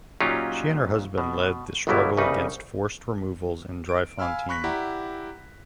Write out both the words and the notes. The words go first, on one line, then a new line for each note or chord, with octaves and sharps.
She and her husband led the struggle against forced removals in Driefontein.
A#2 F#3 C#4 D#4 F4 G4
B2
G1 C#2 B2 F#3 G3 E4
C2 C#3 G3 D#4 B4
D7
F5 G#5 B5 E6 F6
B5 C#6 F#6 A#6 B6
E4 G4 D5 F#5 A#5 B5